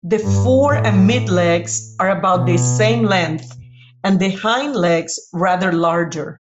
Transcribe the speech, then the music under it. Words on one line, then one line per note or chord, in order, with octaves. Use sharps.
The fore and mid-legs are about the same length and the hind-legs rather larger.
G2
A2
B2